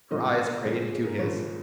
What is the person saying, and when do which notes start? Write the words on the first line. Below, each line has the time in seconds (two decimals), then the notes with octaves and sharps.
Her eyes prayed to his.
0.11 A#1 G#2 F3 C#4 D#5
0.29 F4
0.47 A#4
0.65 A#1 G#2 F3 C#4 G#4
0.92 G#4
1.06 A#4
1.19 A#1 G#2 F3 C#4 C#5